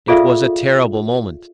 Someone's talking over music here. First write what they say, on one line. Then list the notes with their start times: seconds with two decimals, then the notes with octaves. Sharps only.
It was a terrible moment.
0.08 F4 G#4 A4 D5 E5 F5